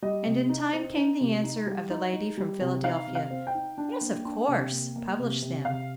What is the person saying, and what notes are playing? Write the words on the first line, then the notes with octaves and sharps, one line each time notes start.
And in time came the answer of the lady from Philadelphia:--"Yes, of course; publish them."
G3 D#5
C3
D#4
C4
D#4
C3
D#4
G3
D#4
D#4
G3
C3
D#4 F5
C3
F5
C4
G5
D#4
D4
A#3
D4
C3
A#3
A#3
C3
C3
C3 F5